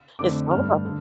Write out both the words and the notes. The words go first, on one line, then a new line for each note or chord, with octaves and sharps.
It's all about
F2 D3 A3 D6
G2 D3 A3 F6
D3